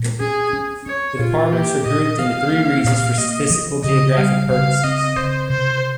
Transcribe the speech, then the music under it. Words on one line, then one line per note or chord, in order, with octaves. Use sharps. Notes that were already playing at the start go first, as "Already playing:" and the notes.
The departments are grouped into three regions for statistical and geographic purposes.
Already playing: A#2
C#4 G#4
C#4
C#4 C#5
A#2 F4
A#3 G4
A#2 D#5
F3 F5
A#3
A#2 F5
A#3 D#5
F3
C#3 D#5
G3 F5
C#3 F5
C4 D#5
C#3 C5
C3 C5